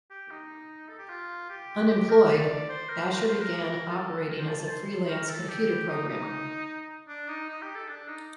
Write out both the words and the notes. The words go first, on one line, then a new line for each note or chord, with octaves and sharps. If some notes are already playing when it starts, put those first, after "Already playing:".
Unemployed, Asher began operating as a freelance computer programmer.
G4
D#4
A4
G4
F4
G4
G4
A#4
D5
C5
A#4
C5
A#4
C5
A#4
A4
A#4
C5
A5
A5
C5
A#4
A4
G4
D#4
D#4
D4
D#4
D#4
G4
A4
D4
D#4